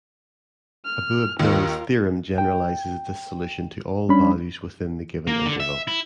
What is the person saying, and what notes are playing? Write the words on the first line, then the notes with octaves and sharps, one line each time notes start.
Abouabdillah's theorem generalizes this solution to all values within the given interval.
F6
D#2 D#3 F4 A#4
G5
G3 C#4 D4 B5
A#3
D3
E5
E4